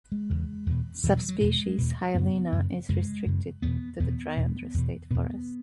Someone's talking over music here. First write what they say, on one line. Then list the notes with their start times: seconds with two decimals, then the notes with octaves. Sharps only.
Subspecies "hyalina" is restricted to the Dryandra State Forest.
0.12 G#3
0.30 E2 C#3
0.66 E2 B2
1.03 E2 B2 E3
1.17 F#3
1.28 F#3
1.40 E2 B2 G#3
1.78 E2 B2
2.14 F#2 C#3 B3
2.52 F#2 C#3
2.89 F#2 C#3 G#3
3.26 F#2 C#3
3.62 E2 B2 B3
4.00 E2 B2 B3
4.37 E2 B2
4.74 E2 B2
5.11 E2 B2 B3